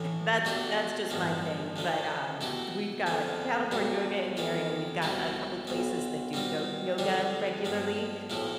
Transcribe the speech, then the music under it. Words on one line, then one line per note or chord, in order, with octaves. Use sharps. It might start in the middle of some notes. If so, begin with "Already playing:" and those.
that's that's just my thing, but, um, th we've got paddleboard yoga in the area, we've got a couple places that do goat yoga regularly,
Already playing: A1 A2 E3
B2 A3 D4 G4
A1 G2 F3 B3
D2 D3 F3 A3
B2 A3 E4 G4
F2 D3 F3 B3
B1 B2 G3 D4
F2 E3 B3 F4
C2 B2 A3 E4 G4
B1 B2 B3
B2 G3 C4 F4
F2 D3 G3 D4
G2 F3 B3
B1 A2 F3 A3 E4